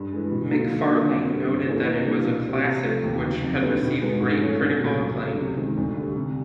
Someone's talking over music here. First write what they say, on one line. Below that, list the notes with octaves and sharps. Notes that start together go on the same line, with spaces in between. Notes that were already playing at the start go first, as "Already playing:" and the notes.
McFarlane noted that it was a "classic" which had received "great critical acclaim".
Already playing: G2
E3 G#3
B2
F#3 A#3 D#4
D3
F#3 A#3 D4 F4
F2
D3 G3
G2
E3 G3 A#3 C#4
C3
E3 G3 A#3 D4
B2
G3 C4
C3
F3 A3
D#2
C#3 F#3
F2
D3 G3 B3 D#4
B2
G#3 B3 D#4
G#2
F3 A3 C#4
C2
A#2 F#3 A3
C#2
C#3 F#3 A3
C3
D#3 G#3 C4
D2
D3 G3
C2